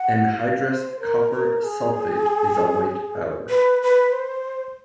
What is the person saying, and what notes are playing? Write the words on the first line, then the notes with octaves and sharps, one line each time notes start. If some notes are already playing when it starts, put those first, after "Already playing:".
Anhydrous copper sulfate is a white powder.
Already playing: F#5
F5
C5
A#4
A#4
G#4
B4
B4
C5